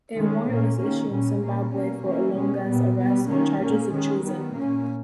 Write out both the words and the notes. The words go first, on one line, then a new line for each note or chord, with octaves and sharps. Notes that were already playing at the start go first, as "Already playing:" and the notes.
A warrant was issued in Zimbabwe for Olonga's arrest on charges of treason.
D#3 G#3 C#4
A#2 A#3 C#4
D#3 A#3 C#4
A#2 G3 C#4
A#2 A#3 C#4
B2 A#3 C#4
E3 A#3 C#4
B2 G#3 C#4
A#2 G3 B3
B2 G3 B3
D#3 A#3 C#4
A#2 A#3 C#4
D#3 G#3 C#4
D#3 G3 B3
A#2 A#3 C#4